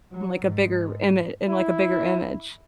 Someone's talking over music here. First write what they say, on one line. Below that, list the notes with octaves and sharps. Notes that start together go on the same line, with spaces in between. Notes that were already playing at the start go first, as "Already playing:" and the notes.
like, a bigger ima in, like, a bigger image.
F#3
G#2
E4